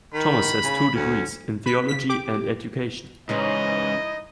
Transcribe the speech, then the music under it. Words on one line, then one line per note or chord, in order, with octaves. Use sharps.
Thomas has two degrees, in theology and education.
D#3 B5
C#3
D2 C#4
B4 B6
C#3 B6
G4 D6
G#2 C#3 E3 C#4 D#4 E4 D#5